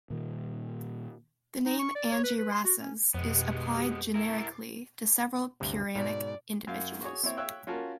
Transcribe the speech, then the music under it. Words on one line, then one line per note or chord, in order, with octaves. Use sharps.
The name Angirasas is applied generically to several Puranic individuals.
A#2 D#3 G3
D#4
C#6
D5
C#5
B4
B4
C6
F#4
C#4
F2 B2 G#3 B3 G4
E4 A#4 D6 A6 C7
D2 G2 C3
G#2 B2 D5
F#2 F5
F#4 G#4 C#5
C4 E4 C#5
C#5 E5 F5 G5 E6 F#6
C#4 F4 F#4 A#4 A5